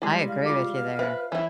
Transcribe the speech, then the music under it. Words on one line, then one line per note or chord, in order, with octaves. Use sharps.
I agree with you there.
G3 G#3 E4
F5
F4 G#4
B4 C5 E5
E3 E4 C#5